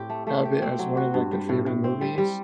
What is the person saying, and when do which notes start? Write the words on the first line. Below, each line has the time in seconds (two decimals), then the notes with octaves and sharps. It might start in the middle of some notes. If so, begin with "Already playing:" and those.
have it as one of, like, their favorite movies,
Already playing: A2 C4 G4
0.10 A3
0.27 A3
0.45 G4
0.62 C4
0.79 F#3
0.97 F#4
1.14 G2
1.32 G3
1.49 A2
1.66 A2
1.84 C4
2.01 G3
2.18 G3